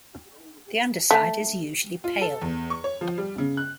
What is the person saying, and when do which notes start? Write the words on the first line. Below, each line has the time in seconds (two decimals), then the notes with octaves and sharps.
The underside is usually pale.
1.11 A3
2.04 F4
2.21 A4
2.42 E2
2.70 C#6
2.84 C#5
3.01 F3
3.18 G3
3.38 C#3
3.57 F#6